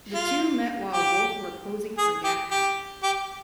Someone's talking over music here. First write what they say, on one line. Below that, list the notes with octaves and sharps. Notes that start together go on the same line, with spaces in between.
The two met while both were posing for Gap ads.
F4
G4
G#4
G4
G4
G4